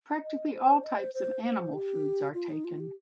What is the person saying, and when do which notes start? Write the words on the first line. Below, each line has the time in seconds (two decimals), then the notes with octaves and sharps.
Practically all types of animal foods are taken.
0.23 D#5
0.54 C5
0.84 D#5
0.98 C5
1.14 C5
1.44 C5
1.74 G4
2.34 F4
2.49 D#4
2.65 F4
2.80 G4